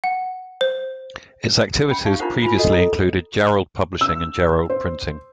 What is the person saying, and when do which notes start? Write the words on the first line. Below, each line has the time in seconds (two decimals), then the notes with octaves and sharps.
Its activities previously included Jarrold Publishing and Jarrold Printing.
0.04 F#5
0.61 C5
1.89 C#4 F#5 G5 B5
2.05 D#4 G4 F5 C#6
2.20 D4 E4 F4 A#4 C5 F#5
2.42 F4 G#5 B5
2.58 F#4 A4 D#5 F#5
2.72 A4 A#5
4.01 E6
4.70 C5